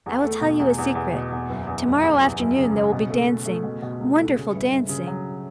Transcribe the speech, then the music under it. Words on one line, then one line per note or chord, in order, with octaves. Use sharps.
I will tell you a secret. Tomorrow afternoon there will be dancing--wonderful dancing!
E2
A3
B2
E2
E2
E2
B2
E2
F#1
E2
F#1
E2
E2
F#1
C#3
C#3
B2
A3
A3
A3
B2
B2
C#2
A3
C#3
G1
G1
C#3
F#3